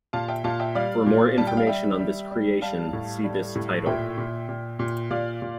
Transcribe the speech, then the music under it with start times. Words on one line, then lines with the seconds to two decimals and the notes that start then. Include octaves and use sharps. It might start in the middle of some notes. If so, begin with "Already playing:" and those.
For more information on this creation, see this title.
0.13 A#2 F5 A5
0.28 E5 G5
0.44 A#2 F5 A5
0.60 E5 G5
0.75 G3 D5 F5
1.06 A#2
1.37 G3 A5
1.47 G5
1.57 F5
1.67 G3 E5 G5
1.99 G3
2.31 G3
2.62 G3 F5 A5
2.93 A2
3.24 G3
3.55 A2
3.86 A#2 E5 G5
4.18 A#2
4.49 A#2
4.79 A#2
5.11 A#2 D5 F5
5.42 A#2